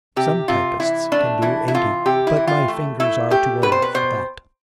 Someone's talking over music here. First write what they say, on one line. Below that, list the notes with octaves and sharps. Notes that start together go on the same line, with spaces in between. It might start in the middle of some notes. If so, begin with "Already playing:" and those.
Some typists can do eighty, but my fingers are too old for that.
C3 G4
C3 F4
E3 E4
A3 D4
E3 E4
E4
C3 F4
C3 G4
E4
E3
F4
A3
A3 E4
A3 G4
B2 B4
C5
B4
B2 C5